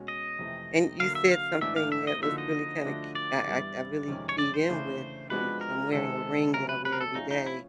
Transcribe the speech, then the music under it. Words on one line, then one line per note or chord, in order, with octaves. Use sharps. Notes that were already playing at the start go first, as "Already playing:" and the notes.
And you said something that was really kinda k I I I really keyed in with, um, because I'm wearing a ring that I wear every day.
Already playing: B2 G#3 C#4 F#4
D#5
F2 C3 E3 A3
D3 F#3 A#3 F5
E5
F5
G#2 E3 A3 D4 E5
F5
E5
D#5
D3 F3 A#3 D#4 F#4 E5
D#5
D3 F3 A3 D4 F#4
D5
G2 E3 G3 B3 E4
F2 C3 D#3 G#3 C#4
C#5
D5
C5
C#3 E3 A3 D4
F3 G#3 B3 D4 F#4 B4
A#4
C3 D#3 G#3 C4 A4
C#3 F#3 A3 C#4 A#4
B4
B4
A#4
A4
F3 A3 C#4 D#4 F4 G#4
D#4
E4